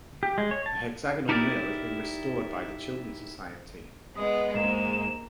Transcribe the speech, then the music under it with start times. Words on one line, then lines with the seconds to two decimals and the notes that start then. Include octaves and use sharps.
The hexagonal mill has been restored by the Chiltern Society.
0.23 G4
0.38 G#3
0.51 C#5
0.66 A5
1.29 D#4 E4 G4 A#4 C5 D5
4.16 G#3 B3 D#6
4.55 G#2 A#3 E7